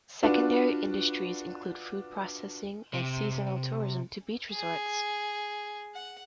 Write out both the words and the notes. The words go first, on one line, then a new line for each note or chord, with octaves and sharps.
Secondary industries include food processing, and seasonal tourism to beach resorts.
D4 F4 F#4 B4
C3
G#4
F#5